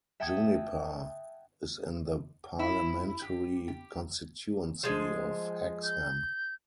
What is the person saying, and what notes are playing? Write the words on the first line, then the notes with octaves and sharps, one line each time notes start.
Juniper is in the parliamentary constituency of Hexham.
E5 F#5 G5 A5 D#6 G#6
E4
G4
G4
F3 G#3
G6